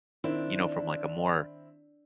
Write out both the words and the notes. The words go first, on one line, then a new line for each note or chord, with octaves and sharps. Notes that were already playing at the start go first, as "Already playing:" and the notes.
you know, from, like, a more
D#3 C4 D4 E4